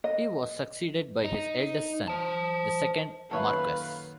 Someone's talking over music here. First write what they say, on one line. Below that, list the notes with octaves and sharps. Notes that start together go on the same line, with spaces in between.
He was succeeded by his eldest son, the second Marquess.
D#5
D#4
C5 A5
F#2 A#2 D#3 A4 B4 C#5 E5 F5